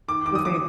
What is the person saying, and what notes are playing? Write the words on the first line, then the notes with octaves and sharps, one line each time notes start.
Good for you.
D#3 D6
D#3 D6
D#6
D6